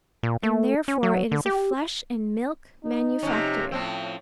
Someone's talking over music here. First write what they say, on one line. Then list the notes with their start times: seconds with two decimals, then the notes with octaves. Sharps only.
And therefore it is a flesh and milk manufactory.
0.23 A#2
0.43 A3
0.88 C#4
1.03 F#3
1.31 D3
1.46 G4
2.84 D#4
3.23 C3 F3 C#4
3.72 A2 F3 C4